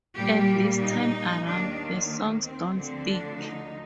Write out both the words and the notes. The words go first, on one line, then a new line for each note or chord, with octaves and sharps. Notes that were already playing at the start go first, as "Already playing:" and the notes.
And this time around, the songs don't stick.
A#2 G3 A#3 G4
D#4
D#2 D#3 A#3 D4
A#3
C4
D2 D3 F3 C4
D4
D#4